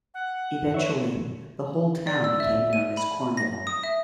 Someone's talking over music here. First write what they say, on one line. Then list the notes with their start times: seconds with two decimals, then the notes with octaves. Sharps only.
Eventually the whole town became known as Cornwall.
0.14 F#5
0.74 B4 C#5 E5
2.07 D5
2.24 E6
2.40 E5
2.73 D#7
2.97 B5
3.37 A#6
3.67 D#6
3.84 E5